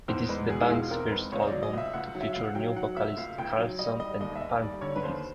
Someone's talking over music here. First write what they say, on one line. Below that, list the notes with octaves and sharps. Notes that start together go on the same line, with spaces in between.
It is the band's first album to feature new vocalists Karlsson and Palmqvist.
E2 C5
G#3 B4
B2 G#4
E4
E2 F4
C4 A#4
G#3 B4
C#2 C#5
D#5
F#3 D5
D#5
C#2 E5
C#2 F#5
F#3
E5
C#2 F5
F#5
F#3 G5
F#3 F#5
C#2 E5
C#2 F5
C#2 G5
F#3
G3 D#5
G3 D#5
D#2 D#5
E5
D#2 D#5
G3 D5
D3 C#5
B4
D#2 C5